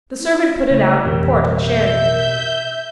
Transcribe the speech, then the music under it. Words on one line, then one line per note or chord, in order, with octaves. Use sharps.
The servant put it out, port and sherry.
E4
C#3 A3
A1 F2 B2 E3 C4 G4 A#4
E5 G6